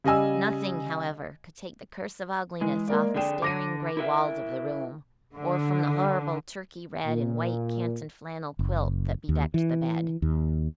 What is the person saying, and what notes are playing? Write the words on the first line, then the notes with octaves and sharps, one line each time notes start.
Nothing, however, could take the curse of ugliness off the staring gray walls of the room, or from the horrible turkey-red and white canton-flannel quilt that bedecked the bed.
C#3 G3 D#5 G#5 E6
E3 G#3
A#3 A#4 D5
D3 D4 G#4 G5 E7
D3 D6 A#6 D#7
E4 A#4 E5
D3
A#2
F#1
D#2
E3
D#2